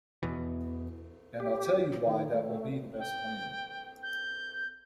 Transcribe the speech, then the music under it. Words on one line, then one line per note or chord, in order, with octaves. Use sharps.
And I'll tell you why that will be the best plan.
E2 B2 E3
G4
D#3
A3
G5
G6